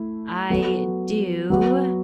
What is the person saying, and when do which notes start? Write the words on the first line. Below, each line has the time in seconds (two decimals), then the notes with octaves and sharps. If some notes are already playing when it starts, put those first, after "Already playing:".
I do.
Already playing: A3 E4
0.50 F#3 B3 F#4 A4
1.50 F#3 B3 F#4